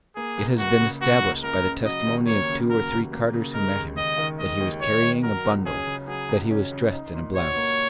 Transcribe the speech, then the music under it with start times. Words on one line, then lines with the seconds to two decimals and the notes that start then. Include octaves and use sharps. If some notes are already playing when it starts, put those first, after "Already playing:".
It has been established by the testimony of two or three carters who met him, that he was carrying a bundle; that he was dressed in a blouse.
0.16 A#3 G#4
0.37 C#2
0.59 C#2 F#4
0.80 C#3
1.01 A#3 F#4
1.22 C#2
1.43 C#2 A#4
1.64 C#3
1.86 F#3 D#5
2.07 D#2
2.27 A#3 C#5
2.49 C#3
2.70 F#3 A#4
2.91 D#2
3.12 A#3
3.33 C#3
3.54 G#3 A#4
3.76 D#2
3.97 D#2 D#5
4.18 D#3
4.39 G#3 D#5
4.60 D#2
4.81 D#2 C#5
5.02 D#3
5.23 F#3 A#4
5.44 C#2
5.66 C#4 G#4
5.87 C#3
6.07 F#3 G#4
6.29 C#2
6.51 C#4
6.71 C#3
6.92 D#4
7.14 A#2
7.35 F#4 C#5
7.56 A#3